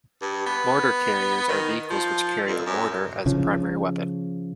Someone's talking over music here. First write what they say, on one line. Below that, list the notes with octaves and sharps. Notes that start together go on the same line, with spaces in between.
Mortar carriers are vehicles which carry a mortar as a primary weapon.
G2
B3
D#3
F3
F2
F#2
C#3 F3